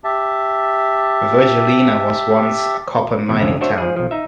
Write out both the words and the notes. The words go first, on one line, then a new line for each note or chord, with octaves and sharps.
Virgilina was once a copper mining town.
G4 E5 A5
B2 E3
C2 F2 D3 C#4 E5
D4 F#4 C5 C#5 E5
F3 G#4
B1 F3
D#4 E5